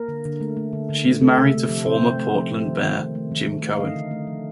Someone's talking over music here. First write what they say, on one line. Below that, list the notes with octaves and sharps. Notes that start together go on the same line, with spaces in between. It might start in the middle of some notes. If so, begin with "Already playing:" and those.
She is married to former Portland Mayor Jim Cohen.
Already playing: A#3 A#4
D3
D3
A3
A3
D3
D3
A3
C3 A3 A4
C3
A3
F3
C3 C4 C5
C3
A3
F3
A3
D#3
D#3
A3
A3
D#3
D#3
A3
F5
D3 D#4 D#5
D3
A3
F3